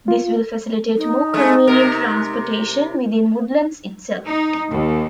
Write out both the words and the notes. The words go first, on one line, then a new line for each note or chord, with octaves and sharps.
This will facilitate more convenient transportation within Woodlands itself.
F4
D#4
G#3 A3
C3 A#4
D#4
D#2